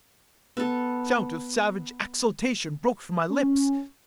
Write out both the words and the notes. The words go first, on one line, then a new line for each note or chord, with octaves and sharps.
A shout of savage exultation broke from my lips.
B3 A4
C#4